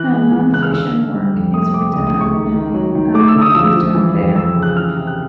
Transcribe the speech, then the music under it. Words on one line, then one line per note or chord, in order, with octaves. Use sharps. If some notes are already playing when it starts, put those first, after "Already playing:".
Her non-fiction work is written under the name Pamela Britton-Baer.
Already playing: E3 F#6
G#3
E3
C#3 F#6
F6
D3 E6
D3
G3
F2
C3 D#6
C3 D6
C#2 D#6
D#6
C#2
C#6
D#3
D#3
F#3
D#3
A3 D6
E6
D3
D#6
F3 E6
F3
E3
F2
F2 E6
C#3
F#6
E3 F6
C3
F#6